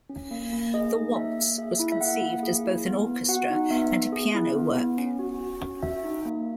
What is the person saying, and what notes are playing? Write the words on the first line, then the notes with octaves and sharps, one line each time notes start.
The waltz was conceived as both an orchestra and a piano work.
C#4
A#3
A#3
G#4 D#5
D#4
A#3 E5
A#3
G#4 E5
E4
E5
A#3 F#5
A#3
G#4
E4
B3
B3
F#4 F#5
D#4
B3 E5
B3
G#4
E4
B3
B3
C#4
F#4
F#4
C#4
F#4 E5
D#4
A#3